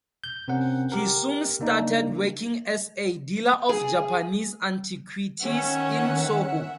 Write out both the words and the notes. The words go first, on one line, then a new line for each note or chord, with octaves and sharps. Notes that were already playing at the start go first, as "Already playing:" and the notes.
He soon started working as a dealer of Japanese antiquities in Soho.
G6
C3 C4 C#4 A#4 F#5
G4 A#4
C#3 A#3 D4 D#4
G#4
D#3 C#4 E5 F#5